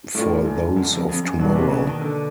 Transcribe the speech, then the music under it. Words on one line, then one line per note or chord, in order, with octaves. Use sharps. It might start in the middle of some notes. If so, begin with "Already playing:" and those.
For those of tomorrow.
A2 A3 D4 F4
G#2
F#2
F2
F2
F#2
G2 B2 F#3 A#3 D4 F#4
C3
C#3
D#3
D3